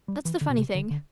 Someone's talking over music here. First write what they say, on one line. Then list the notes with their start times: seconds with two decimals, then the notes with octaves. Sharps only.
That's the funny thing.
0.08 G3
0.25 E3
0.41 D3
0.50 B2
0.58 C3
0.75 D3
0.91 D3